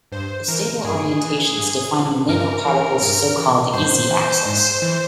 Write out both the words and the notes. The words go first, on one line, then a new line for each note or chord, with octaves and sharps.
The stable orientations define the nanoparticle's so called "easy axis".
G2 C5
E3 A#4
G2 G#4
E3
G2
E3
G2 A#4
E3
G2
E3
G2 C5
E3
G#2
E3